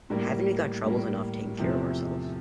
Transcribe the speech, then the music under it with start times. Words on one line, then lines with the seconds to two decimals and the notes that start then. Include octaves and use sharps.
Haven't we got troubles enough taking care of ourselves?
0.10 A2 G3 A#3
0.84 A2 G3 A#3
1.58 E2 C3 F3 A3 C4